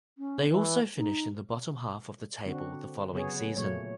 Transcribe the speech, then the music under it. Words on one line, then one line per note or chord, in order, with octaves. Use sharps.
They also finished in the bottom half of the table the following season.
C#4
E3
D#4
D3 C4 D4 F#4
C#3 F#3 B3 G#4 C#5
A#2 F#3 A3 A#3 C#5